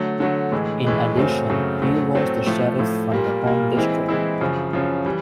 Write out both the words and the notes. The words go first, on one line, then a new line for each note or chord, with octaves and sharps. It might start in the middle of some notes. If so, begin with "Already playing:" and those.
In addition he was the Sheriff for the Home District.
Already playing: D3 F#3 A3
D3 F#3 A3
A2 E3 G#3
A2 E3 G#3
F#2 C#3 F#3 A3 C4
F#2 C#3 F#3 A3 C4
A2 F#3 A3 C4
A2 F#3 A3 C4
A2 F3 A3
A2 F3 A3
A#2 G3 A#3
A#2 G3 A#3
E3 G#3 C4 E4
E3 G#3 C4 E4
F#2 C#3 F3
F#2 C#3 F3
E3 G3